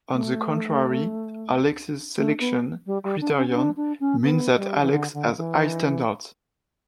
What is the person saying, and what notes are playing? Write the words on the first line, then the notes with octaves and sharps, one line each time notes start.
On the contrary, Alex's selection criterion means that Alex has high standards.
A3
A3
B3
G3
G3
D4
C#4
C#4
D4
D4
C#4
B3
G3
E3
D3
D3
E3